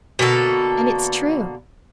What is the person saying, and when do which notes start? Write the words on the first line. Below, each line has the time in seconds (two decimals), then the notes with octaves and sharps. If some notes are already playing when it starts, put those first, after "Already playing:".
And it's true.
0.19 B2 D3 A#3 A4